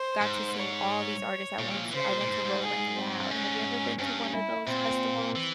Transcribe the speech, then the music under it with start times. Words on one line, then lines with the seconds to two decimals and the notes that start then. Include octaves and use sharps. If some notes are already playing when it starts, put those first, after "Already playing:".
got to see all these artists at once. I went to Rolling Loud. Have you ever been to one of those festivals?
Already playing: C5
0.22 G#2
0.56 C#5
1.59 A#2
1.69 G3
1.76 F3
1.85 E3
1.93 C#3 C5
2.10 A#2
2.21 A#2
2.28 G#2
2.44 G#2
2.62 G#4
2.96 C4
3.18 G2
3.31 G#2 C#4
3.99 G2 C#4
4.33 E4
4.67 A#2 C4
5.36 E3